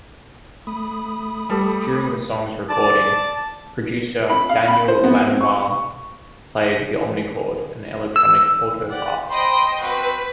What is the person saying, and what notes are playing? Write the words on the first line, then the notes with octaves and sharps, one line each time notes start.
During the song's recording, producer Daniel Lanois played the Omnichord, an electronic autoharp.
A3 B5 D#6
G3 A4
D5 A5
B5
F5
B5
C5
B3
C4
C#6
E6
G4 D5 F#5
C5 D#5 G5 B5 C6
C4 F#4 B4 G5